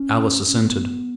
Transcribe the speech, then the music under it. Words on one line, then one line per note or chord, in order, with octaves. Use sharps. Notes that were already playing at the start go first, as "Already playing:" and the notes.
Alice assented.
Already playing: C#4
C#4
B3